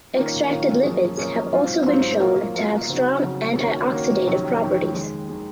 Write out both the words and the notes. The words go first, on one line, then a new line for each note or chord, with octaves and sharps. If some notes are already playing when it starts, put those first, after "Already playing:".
Extracted lipids have also been shown to have strong antioxidative properties.
D#3 A#3 C#4 F4
D#3 A#3 C#4 F4
F#2 F3 A#3 C#4 G#4
F#2 F3 A#3 C#4 G#4
G#2 F#3 C4 F4 C5
G#2 F#3 C4 F4 C5
F#3 A#3 F4 A#4
F#3 A#3 F4 A#4
C#3 F#3 C4 D#4 F#4
C#3 F#3 C4 D#4 F#4
D#2 D#3 A#3 C#4 F#4
D#2 D#3 A#3 C#4 F#4
F2 C3 D#3 F#3 C#4
F2 C3 D#3 F#3 C#4
D#2 D#3 G#3
D#3 G#3